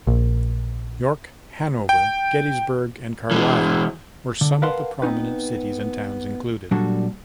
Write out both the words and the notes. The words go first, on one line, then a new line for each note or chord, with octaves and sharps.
York, Hanover, Gettysburg and Carlisle were some of the prominent cities and towns included.
A#1
G5
E3 G#3
D3
A#4 B4 F5 F#5 A5 C6
B3 C4 D#4 B4
A#2 F#3 G3 D4 F#4 A4